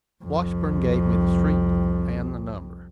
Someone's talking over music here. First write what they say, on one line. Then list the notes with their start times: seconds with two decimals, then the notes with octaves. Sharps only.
Washburn gave me the street and number.
0.24 C2 F2